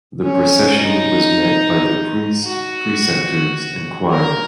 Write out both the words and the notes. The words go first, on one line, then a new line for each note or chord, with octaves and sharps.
The procession was met by the priest, precentors, and choir.
C#4
D#4
F#4
A#4